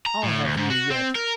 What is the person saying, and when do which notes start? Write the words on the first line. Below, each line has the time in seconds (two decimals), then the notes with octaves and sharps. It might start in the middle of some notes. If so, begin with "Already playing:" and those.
"I'll have you yet."
0.06 A#5
0.23 A2
0.44 D2
0.57 G#2
0.70 F#4
0.90 C4
1.15 A#4